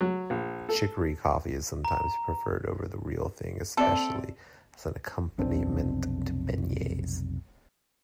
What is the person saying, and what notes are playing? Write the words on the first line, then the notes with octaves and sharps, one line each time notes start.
Chicory coffee is sometimes preferred over the real thing-especially as an accompaniment to beignets.
F#3
A#1
A4
A#5
C4 A4 D5 E5
F1 B1 C4 D4